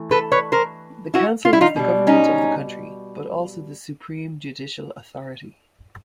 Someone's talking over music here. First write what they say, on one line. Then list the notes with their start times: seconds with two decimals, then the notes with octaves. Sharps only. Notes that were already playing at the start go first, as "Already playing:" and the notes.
The council was the government of the country, but also the supreme judicial authority.
Already playing: E3 A3
0.11 A4 B4
0.32 B4 C#5
0.52 A#4 C5
1.14 E4 F#4
1.45 F4
1.53 E4
1.61 D#4 F4
1.76 B2 G3
2.07 C#4 D#4